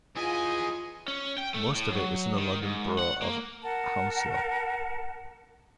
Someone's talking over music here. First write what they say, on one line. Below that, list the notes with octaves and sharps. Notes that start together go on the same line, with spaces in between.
Most of it is in the London Borough of Hounslow.
E3 F4 G#4 D#5 G#5
C#4
G5
A3
A2
F#3
D#3
G#2
F#5
A#3
A#4 F#5 A5